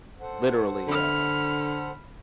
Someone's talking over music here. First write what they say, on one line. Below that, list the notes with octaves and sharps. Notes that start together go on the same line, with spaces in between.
um, literally, uh
A4 C5 F#5
D3 B5 F6